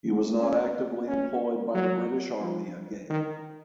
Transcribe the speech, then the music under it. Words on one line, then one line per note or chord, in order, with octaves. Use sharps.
He was not actively employed by the British Army again.
C#4
C#4
F#3
F3
D#3